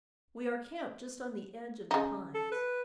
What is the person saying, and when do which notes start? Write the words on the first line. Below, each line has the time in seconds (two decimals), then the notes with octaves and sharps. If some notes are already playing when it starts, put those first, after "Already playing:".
We are camped just on the edge of the pines.
1.91 C#3 D#4
2.34 A4
2.52 B4